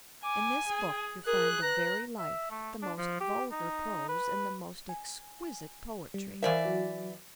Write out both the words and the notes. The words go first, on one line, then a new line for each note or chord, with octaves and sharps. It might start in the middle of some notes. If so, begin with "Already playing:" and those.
In this book you find the very life; the most vulgar prose, and the most exquisite poetry.
G#5 D6
G#4
G#4 A#4 F#6
B4 A#5
E5
A3
D4
F3
G4
D#4
B4
G#5
G3
E3 A#4 C5 D5 E5 F5
F#3 F#4